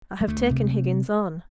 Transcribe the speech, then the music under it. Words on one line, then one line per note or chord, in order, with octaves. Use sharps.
I have taken Higgins on.'
G3
D2 A3
C3